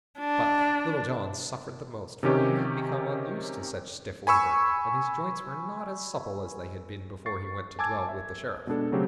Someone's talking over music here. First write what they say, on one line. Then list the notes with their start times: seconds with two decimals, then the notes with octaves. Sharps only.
But Little John suffered the most, for he had become unused to such stiff labor, and his joints were not as supple as they had been before he went to dwell with the Sheriff.
0.20 D4
2.23 C3 D#3 C#4 G4
4.27 G#5 B5 C#6 E6
7.26 C#6 A6 C7
7.79 G#5 A5 D6 E6 G#6
8.09 E5
8.67 B2 G#3 D4 A4
8.92 C#3 F#3 A3 C4 G4